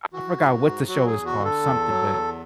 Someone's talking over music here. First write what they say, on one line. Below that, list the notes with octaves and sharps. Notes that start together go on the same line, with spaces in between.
I forgot what the show is called, something, but
E3 F#4
G#2
G#2
F#3 F#4
G#4
E2
F#4
D3
A4
E2
F#3
E2